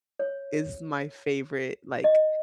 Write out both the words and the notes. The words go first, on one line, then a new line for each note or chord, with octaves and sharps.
is my favorite, like,
C#5
D#5